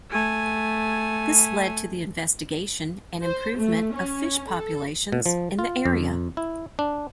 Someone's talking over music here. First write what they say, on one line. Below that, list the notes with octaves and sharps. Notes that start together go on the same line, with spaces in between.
This led to the investigation and improvement of fish populations in the area.
A3 G#5
C5
A3
C#4
A4
B2
F3
F4
F2
E4
D4